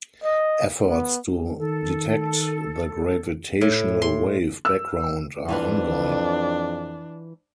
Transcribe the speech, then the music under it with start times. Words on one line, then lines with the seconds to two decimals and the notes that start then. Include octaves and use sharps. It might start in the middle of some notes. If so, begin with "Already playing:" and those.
Efforts to detect the gravitational wave background are ongoing.
0.24 D#5
0.86 B3
1.59 D#3 A4
3.61 A2
4.02 C6
4.65 E6
5.49 F2 E3 D4 F4 B4